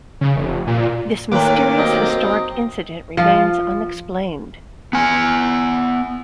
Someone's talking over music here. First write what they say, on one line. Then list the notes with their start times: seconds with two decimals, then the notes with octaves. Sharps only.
This mysterious historic incident remains unexplained.
0.21 C#3
0.36 F1
0.67 A#2
1.32 D#2 A2 A#3 B4 D6
1.78 F#3 C4 D#5
3.17 F3 F4
4.93 B3 G#5